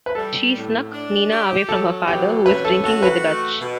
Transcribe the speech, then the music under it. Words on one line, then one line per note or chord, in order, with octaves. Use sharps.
She snuck Nina away from her father, who was drinking with the Dutch.
B4
G3 A4
A2
D4
G4
F#3 A4
B2 G4
C#4 B4
A4
F#4 A4
B4
A3
B2